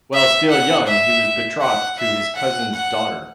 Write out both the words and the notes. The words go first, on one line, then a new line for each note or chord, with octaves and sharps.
While still young he was betrothed to his cousin's daughter.
E5
F#5
E5
F#5
E5
F#5
F#5